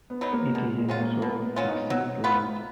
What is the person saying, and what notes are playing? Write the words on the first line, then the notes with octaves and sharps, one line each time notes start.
It is a nitrogen fixing plant.
B3
F#3 B3 D#4
A#3
B2 G#3
G#3
F#3 C#4 F4
A#3
B2 B3
B3
F#3 C#4 F4
D#4
F#3
B3 F4 B4